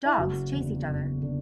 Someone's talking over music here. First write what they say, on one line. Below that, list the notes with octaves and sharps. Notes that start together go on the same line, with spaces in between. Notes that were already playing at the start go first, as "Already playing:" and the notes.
Dogs chase each other.
E4
F#1 F#4
E2 D3
F#1
D3